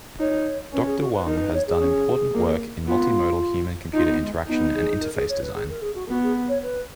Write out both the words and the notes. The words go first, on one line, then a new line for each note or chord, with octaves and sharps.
Doctor Huang has done important work in multimodal human computer interaction and interface design.
D#4 C#5
C#4 B4
G#4
F#4
B4
D#4 A#4
B4
C#5
G#4
C#4
A#3
B3 F4
D#4 F4
B3
G#3
B3 D#4
G#4
A#4
G#4
C#5
B4
G#4
A#4
G#4
F#4
B3 F#4
G#4
C#5
B4